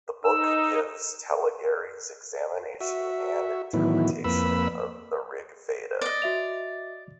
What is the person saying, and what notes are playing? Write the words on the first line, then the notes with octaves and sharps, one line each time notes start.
The book gives Talageri's examination and interpretation of the Rig Veda.
D#4 E6
F#4 E5
A2 D#3 E3 F#3 B3 E4
F2 A#3 B4 B5 E6
D5 D#5
F#4 E5 F7